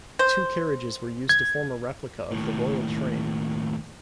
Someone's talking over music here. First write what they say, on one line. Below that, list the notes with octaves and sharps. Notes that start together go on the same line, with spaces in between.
Two carriages were used to form a replica of the Royal Train.
C5
G#6
D#2 A2